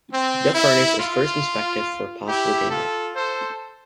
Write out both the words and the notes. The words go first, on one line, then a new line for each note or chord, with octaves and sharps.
The furnace is first inspected for possible damage.
C4
E4
F4
E4 G4
F4 A4
A4 C5